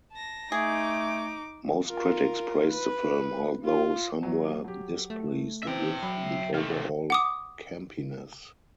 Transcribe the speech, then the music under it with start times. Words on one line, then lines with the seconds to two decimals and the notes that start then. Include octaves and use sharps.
Most critics praised the film, although some were displeased with the overall campiness.
0.12 A5 A#6
0.52 A3 D#4 G#4 D6
1.90 F4 A#4
2.71 B4
3.65 F4
4.23 E2 F#3
4.64 F#3 G4
5.10 A3
5.63 C#3 E3 C4 E5 G5
6.03 F#3 B5
6.54 C3 A3 F6
7.10 F#5 D6 D#6